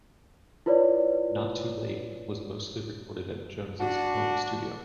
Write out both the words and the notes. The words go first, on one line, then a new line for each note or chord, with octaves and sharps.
"Not Too Late" was mostly recorded at Jones' home studio.
E4 F4 B4 C#5 D5
D4 F#4